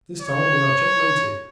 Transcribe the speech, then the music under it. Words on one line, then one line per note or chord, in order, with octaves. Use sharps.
"This time we are checkmated."
C#5